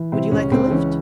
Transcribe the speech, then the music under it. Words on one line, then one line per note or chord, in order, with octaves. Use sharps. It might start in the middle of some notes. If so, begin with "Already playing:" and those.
Would you like a lift?
Already playing: E3
C3 C4 E4
C#2 C#4
C#2 C4
E3 C#4